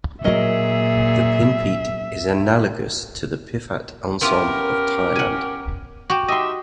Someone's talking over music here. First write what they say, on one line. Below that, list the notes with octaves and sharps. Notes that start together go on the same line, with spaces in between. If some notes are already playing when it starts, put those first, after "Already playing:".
The pinpeat is analogous to the piphat ensemble of Thailand.
A#2 F#3 G#4 A#4 D#5 E5
B3 C#4 E4 F4 G4 A#4
F#5 G#5
F#4 G4
D#4 G4 D#5 E5 C6